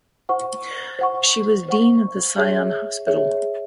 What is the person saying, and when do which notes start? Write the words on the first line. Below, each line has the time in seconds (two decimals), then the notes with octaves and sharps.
She was dean of the Sion hospital.
0.29 C5 F#5 C#6
0.99 C5 F#5 C#6
1.69 C5 F#5 C#6
2.38 G#4 C#5 E5
3.07 G#4 C#5 E5